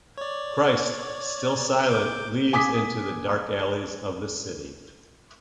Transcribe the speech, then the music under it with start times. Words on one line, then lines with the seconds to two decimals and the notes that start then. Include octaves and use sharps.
Christ, still silent, leaves into "the dark alleys of the city".
0.18 C#5 D5
1.89 D6 G6
2.53 G#5 D6 D#6 B6